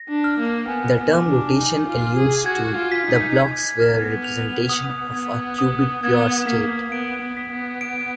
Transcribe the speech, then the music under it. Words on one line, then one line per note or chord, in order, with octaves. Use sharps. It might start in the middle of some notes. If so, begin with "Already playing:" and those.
The term "rotation" alludes to the Bloch sphere representation of a qubit pure state.
Already playing: A#6
D4
F6
A#3
B3 G#5
B3
D6
D4
D#4 G#5
F4
F6
G#4
F#4 G#6
F4
B6
D#4
G#6
F6
B3
F7
D#6
B3 G#6
D#6
B3 G#6
A#3 B6
B3 D7
B3
B6
B3
D7